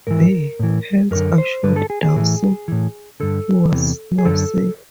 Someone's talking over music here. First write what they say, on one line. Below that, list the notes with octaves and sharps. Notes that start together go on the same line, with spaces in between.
There, Hanks assured Dawson he was now safe.
G#2 E3 A#4
A2 E3
F#2 D3 A#4
C5
G2 D3 B4
A4
G#4
G#4
A2 E3
A2 E3
G2 D3 A4
E2 C3 E3
G#4
F#2 D3 A4